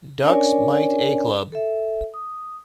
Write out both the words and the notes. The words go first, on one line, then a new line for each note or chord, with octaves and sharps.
Ducks Mite A club.
C#4 D4 A#4 C#5 D5 G#5
A4 E5
D#6